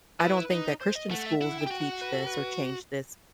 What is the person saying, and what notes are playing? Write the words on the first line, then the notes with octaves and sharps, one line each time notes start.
I don't think that Christian schools would teach this or change this,
E4 B4
D#4
C5
D#5
A3 F#5
E5
E4 F#5
G5
G4
F#4
F#5
B4
A4
B4